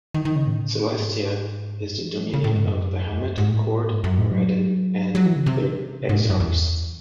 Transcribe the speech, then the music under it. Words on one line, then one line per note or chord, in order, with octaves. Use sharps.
Celestia is the dominion of Bahamut, Kord, Moradin and their exarchs.
D#3
D#3
C#3
A2
G#2
F#2
G#2
F#3
E3
F#3
E3
C#3
A2
G#2
F#2
E2
F#2
G#2
A2
G#2
F#2
A2
F#3
F#3
E3
C#3
C3
G#2
A2
F#2
E2